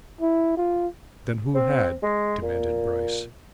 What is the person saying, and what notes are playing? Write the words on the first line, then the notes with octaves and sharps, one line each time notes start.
"Then who had?" demanded Bryce.
E4
F4
C4
G#3
A#2